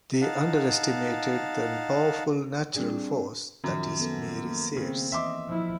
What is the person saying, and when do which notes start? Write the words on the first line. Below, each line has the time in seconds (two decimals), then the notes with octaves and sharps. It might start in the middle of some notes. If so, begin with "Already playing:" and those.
They underestimated the powerful natural force that is Mary Sears.
0.22 D#4 F5 F#5 A5
2.75 G3 C4 D4 G#4 G#5
3.64 F#2 D#3 F3
4.00 B3 A4 A#4
4.45 A#3
4.76 C#3 C4
5.12 E3 D#5 E5 C6 D6
5.48 F3 E4